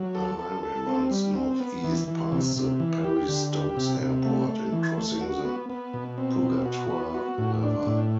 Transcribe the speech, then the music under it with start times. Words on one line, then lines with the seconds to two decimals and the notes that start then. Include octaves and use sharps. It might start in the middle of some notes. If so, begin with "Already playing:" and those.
The highway runs northeast, past the Perry Stokes Airport and crossing the Purgatoire River.
Already playing: F#3
0.15 A4
0.39 A4
0.63 A4
0.87 C4
1.11 G3
1.35 C4
1.60 B3
1.84 E3
2.08 E3
2.32 C3
2.56 C3
2.80 E3
3.04 G4
3.28 D3
3.52 G4
3.77 C3
4.01 C3
4.25 A3
4.48 A3
4.72 E3
4.97 A3
5.21 F#4
5.45 B3
5.70 B3
5.93 B2
6.18 C4
6.42 B2
6.66 F#4
6.90 B3
7.14 F#4
7.38 A2
7.63 D4
7.87 A2